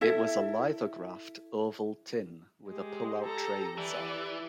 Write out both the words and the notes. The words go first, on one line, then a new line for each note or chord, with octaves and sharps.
It was a lithographed oval tin, with a pull-out tray inside.
E4 A4 E5
G#3 G4
A4 A#5
E3 D5